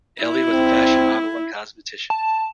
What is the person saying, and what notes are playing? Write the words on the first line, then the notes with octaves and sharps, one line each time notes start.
Elly was a fashion model and cosmetician.
E4
C4
A5